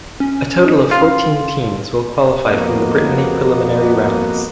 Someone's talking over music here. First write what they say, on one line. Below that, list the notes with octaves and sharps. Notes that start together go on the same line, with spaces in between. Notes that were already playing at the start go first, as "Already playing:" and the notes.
A total of fourteen teams will qualify from the Brittany preliminary rounds.
C#4
D#4
F4 C6
F2 A#3 B3 F#4 D#5